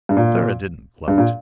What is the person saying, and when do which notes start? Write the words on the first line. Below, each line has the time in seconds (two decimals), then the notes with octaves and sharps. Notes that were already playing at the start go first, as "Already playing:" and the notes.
Clara didn't gloat.
0.09 G2
0.17 A#2
1.08 G2
1.18 A#2